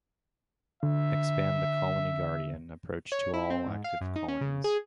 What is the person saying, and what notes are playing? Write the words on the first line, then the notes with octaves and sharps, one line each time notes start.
Expand the 'Colony Guardian' approach to all active colonies.
D3 E5
C#5
E4
C4
G#2
F5
F#2
D#4
C#4
C#3
G#4